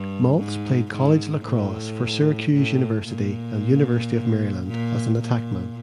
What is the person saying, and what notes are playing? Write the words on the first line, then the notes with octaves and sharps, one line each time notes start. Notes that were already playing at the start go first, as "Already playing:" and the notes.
Maltz played college lacrosse for Syracuse University and University of Maryland as an attackman.
Already playing: G2
G#2
G#2
A2
A2
A#2
A#2
A#2